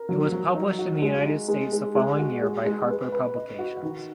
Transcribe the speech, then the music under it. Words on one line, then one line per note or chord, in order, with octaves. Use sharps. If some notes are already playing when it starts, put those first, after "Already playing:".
It was published in the United States the following year by Harper Publications.
Already playing: A#4
F#3
F#3
D#4
F#4
G#3
D#4
G#3
G#3
G#3
F#4
G#3
G#3
B4
B4
D#5
F#4
D#3